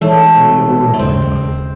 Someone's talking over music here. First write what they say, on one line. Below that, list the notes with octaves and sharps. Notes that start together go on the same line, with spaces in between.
'Only aboard the Black Diamond.
E3 G#3 A3 D#4 A4 C#5
A3
D#2 C#3 G#3 C4